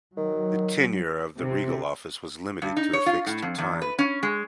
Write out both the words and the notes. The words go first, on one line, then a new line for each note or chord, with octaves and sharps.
The tenure of the regal office was limited to a fixed time.
D#3 F#3
C3
G2
D#4
C#5
F4
A2
F2
E2
B4
C#4
G#3